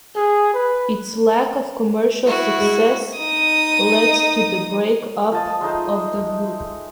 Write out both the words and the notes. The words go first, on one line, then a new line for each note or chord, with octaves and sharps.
Its lack of commercial success led to the break up of the group.
G#4
B4
E4 F#4
G#3
D#4 D#6
F3 D#5 A5
G#3 A3 D#4 C5